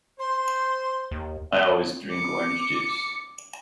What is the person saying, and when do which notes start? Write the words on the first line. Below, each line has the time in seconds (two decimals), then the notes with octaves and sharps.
I always drink orange juice.
0.19 C5 C6
1.11 D#2
2.11 D6 C#7